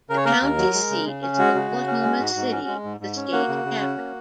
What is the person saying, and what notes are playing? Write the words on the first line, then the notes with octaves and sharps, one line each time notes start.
The county seat is Oklahoma City, the state capital.
C#3 A#4
C#5
A#3 A#4
D#2
F#3
G#3
C#3
C#3
C#4
G#3 F#4
C#3
C#3
C#4
G#3
G#2
G#2
C#4
G#3
G#2
G#2
C#4
A#3 F#4
C#3
C#3
C#4
A#3